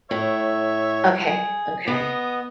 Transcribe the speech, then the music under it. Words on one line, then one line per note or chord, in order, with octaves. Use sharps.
Okay, okay.
A2 C#5 E5
G#4
B3 D#5